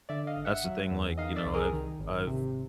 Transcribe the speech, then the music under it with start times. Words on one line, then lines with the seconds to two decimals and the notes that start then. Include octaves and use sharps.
that's the thing, like, you know, I've I've
0.09 D3 D5 E5
0.27 D#5 F5
0.37 G#1
0.45 E5 F#5
0.64 F#3
0.91 E2
1.18 D#3 D#5 F5
1.36 D5 E5
1.45 C2
1.54 G#4 A#4
1.73 D#3
1.99 G#1
2.27 C3